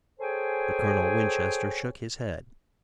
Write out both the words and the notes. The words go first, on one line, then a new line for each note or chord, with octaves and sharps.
But Colonel Winchester shook his head.
G#4 A4 C5 C#5 G5 G#5